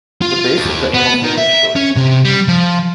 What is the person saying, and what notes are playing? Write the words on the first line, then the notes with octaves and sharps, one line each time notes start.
The base of the anal fin is short.
F4
D#2
B3
D#3
E5
C#4
C3
G3
F3